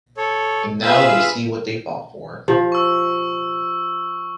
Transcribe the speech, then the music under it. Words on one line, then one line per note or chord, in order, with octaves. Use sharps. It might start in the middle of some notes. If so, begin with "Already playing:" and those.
And now they see what they fought for.
A4 C#5
F4 G#4 B4 E5 F5 E6
F3 G4
C#6 E6